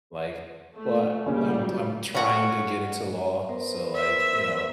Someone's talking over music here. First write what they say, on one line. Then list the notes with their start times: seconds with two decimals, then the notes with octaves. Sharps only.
like well, l I'm I'm trying to get into law. So, like, you know,
0.75 A3
1.26 C#2 A#2 C#3 G3 C#4
1.62 F#3
2.15 C#4 F#4
3.49 B3 A#4 C5
3.94 E5